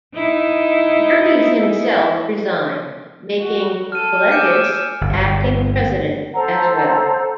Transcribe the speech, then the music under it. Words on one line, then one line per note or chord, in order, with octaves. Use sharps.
Merkys himself resigned, making Paleckis acting president as well.
D#4 E4
F#4
A4 F6 D#7
G#5 D6 E6 G6 C#7
G1
A4 C5 F#5 A#5